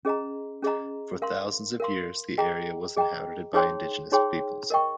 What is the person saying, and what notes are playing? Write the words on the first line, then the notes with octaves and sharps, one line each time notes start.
For thousands of years the area was inhabited by indigenous peoples.
C#4 G#4 D#5 A#5
C#4 G#4 D#5 A#5
A#4 F5 C6
A#4 F5 C6
G#4 D#5 G5 A#5
G#4 D#5 G5 A#5
D#4 G#4 C#5 G5 C6
D#4 G#4 C#5 G5 C6
A#4 D#5 G5 C#6